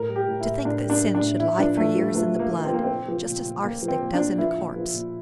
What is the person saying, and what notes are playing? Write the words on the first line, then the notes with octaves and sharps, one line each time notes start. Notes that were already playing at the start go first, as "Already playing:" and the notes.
To think that sin should lie for years in the blood, just as arsenic does in a corpse!
Already playing: A2 A#4
G3
G4
A2
E4
A2
A2 D4
G3
D4
G3
D4
A2
A#2 E4
F3 D4
F3 A3
F3
F3 A3
F3
A#3
F3
C4
F3 A#3
C4
A#2
F3
A#2
A#2
A#2 A#3
F3
C4
A#2
D4
A#2
F3 E4
A#2
F3
A#2